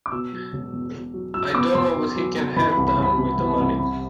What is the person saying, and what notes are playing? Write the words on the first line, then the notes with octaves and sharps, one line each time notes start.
I don't know what he can have done with the money.
D6
B2 E6
F#3
E1
E2
B2
F#3
F#3 E6
E6
B3 D6
E2 C6
B2
F#3
B3
E3 B5
B5
C2
B5
C2 B5
C3
E3
C2
C3 B5